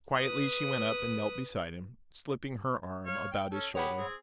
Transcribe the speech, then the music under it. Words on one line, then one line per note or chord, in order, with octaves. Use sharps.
Quietly she went up and knelt beside him, slipping her arm about his shoulder.
B4 D#6
C#5 F5
G5
C#4 A4
G4 G#4 C#5 F#5 B5
C4 G#4